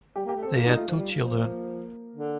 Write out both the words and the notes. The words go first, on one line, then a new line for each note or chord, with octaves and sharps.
They have two children.
G3 G4
A#3
G4
A3
C4 A4
A#3 F4
G3 D#4
A3 F4
F3
G3
F3
A#3
D3